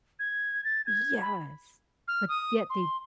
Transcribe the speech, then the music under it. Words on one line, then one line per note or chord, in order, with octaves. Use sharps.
Yes, but yet they
G#6
A6
G#6
B5
F6
D#6
C6